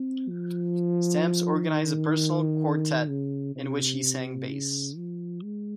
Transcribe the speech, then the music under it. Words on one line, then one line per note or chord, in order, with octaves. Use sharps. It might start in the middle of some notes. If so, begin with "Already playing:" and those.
Stamps organized a personal quartet in which he sang bass.
Already playing: C4
F3
D#3
C#3
C3
C#3
F3
G#3